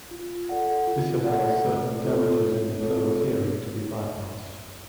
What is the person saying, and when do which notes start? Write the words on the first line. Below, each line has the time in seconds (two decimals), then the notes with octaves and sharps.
This allows certain damages in the flow of hearing to be bypassed.
0.11 F4
0.49 A4 D5 F#5
0.87 F4
1.26 A4 D5 F#5
1.64 A3
2.03 C4 F4 A4 C#5
2.42 A3
2.80 C4 F4 A4 C#5